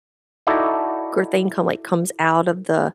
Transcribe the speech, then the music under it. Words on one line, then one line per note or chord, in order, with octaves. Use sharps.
thing come, like, comes out of the
D#4 E4 F#4 A4 D5